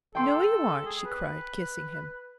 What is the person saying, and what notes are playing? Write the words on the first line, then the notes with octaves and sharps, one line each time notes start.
"No, you aren't," she cried, kissing him.
A4 G5 C6
G#4
B4